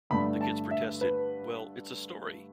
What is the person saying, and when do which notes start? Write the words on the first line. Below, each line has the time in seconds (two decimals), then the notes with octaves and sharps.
The kids protested: Well, it's a story.
0.10 G2 D3 A3 D4 B5
0.41 A5
0.71 E5
1.01 B4